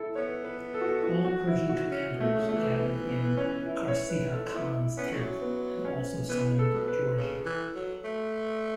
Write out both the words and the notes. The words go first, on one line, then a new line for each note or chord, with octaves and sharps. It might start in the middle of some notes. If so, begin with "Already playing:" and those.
All Persian commanders gathered in Qarciha-Khan's tent and also summoned Giorgi.
Already playing: E4 A4
B3 C#5
B4
A4
F#4
A4
F#4
F#4
E4
F#4
C#4
B2
A3
C#3
A3
E3
B3
B3
C#4
E4
C#5
B4
A4
B3 E4
B3 C#4
A3
F#3
B3
C#4
E3 B3
C#3
A4
B2
B4
C#3
E3
F#3
A3